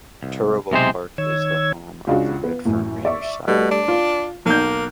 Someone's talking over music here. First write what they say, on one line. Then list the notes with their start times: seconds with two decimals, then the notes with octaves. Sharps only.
Turruwul park is the home of the Redfern Raiders Soccer Club.
0.23 C2
0.71 B1 C3 G#3 C5
1.18 D#3 C#5 E6 G#6
2.07 C#2 C#3 D4 F#4
2.44 B3
2.65 A1 F#2 A2
3.05 D5 E5 C#6
3.48 B2 G3 A3
3.71 D4
3.88 F4
4.46 B1 A#3 G6